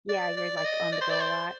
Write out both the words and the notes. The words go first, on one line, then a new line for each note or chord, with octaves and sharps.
Yeah, you're, like, on-the-go a lot?
D5
D5
D5
D#5
D5
C5
D5
C5